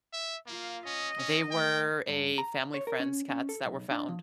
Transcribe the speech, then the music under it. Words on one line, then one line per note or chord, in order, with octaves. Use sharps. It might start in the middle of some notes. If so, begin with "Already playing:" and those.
they were a family friend's cats that were found
E5
A#3 F4 F5
C#4 D#5
C#4
A3 G5
G2
A#5
C#5
A#4
C#4
C#4
A4
B1
D4
F3